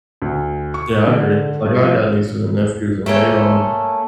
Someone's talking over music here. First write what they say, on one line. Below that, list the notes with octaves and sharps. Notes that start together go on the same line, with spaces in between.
Yeah, I agree, like I got nieces and nephews, and they, um
D2
C#6
D3
G2
F3
A3 A#3 C#4 A4